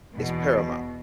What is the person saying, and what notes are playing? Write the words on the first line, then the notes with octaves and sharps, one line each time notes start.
is paramount.
E2 B2